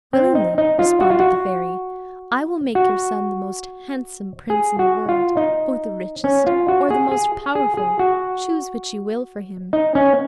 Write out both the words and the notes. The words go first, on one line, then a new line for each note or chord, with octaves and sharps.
"Willingly," responded the Fairy, "I will make your son the most handsome prince in the world, or the richest, or the most powerful; choose which you will for him."
C4
D#4
D#4
F4
F#4
F4
F#4
F#4
G#4
F#4
F4
D#4
C#4
F4
F#4
G#4
G#4
G#4
G#4
F#4
D#4
C#4